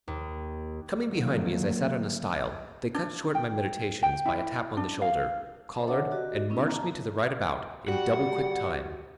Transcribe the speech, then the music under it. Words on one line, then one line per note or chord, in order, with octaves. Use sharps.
Coming behind me as I sat on a stile, they cut short my meditations by a tap on the shoulder, collared and marched me to the right about in double quick time.
D#2
D3 D#3 F#3 A3 A#3
D4
G5
G5
E4
D4
F5
C5 D#5 A5
D4 A4 C#5 E5 F#5 D6
F#4 G4 D5 D#5
B3 C#4 D#4 E4
A5 A#5
G3 F#4 F#5 G5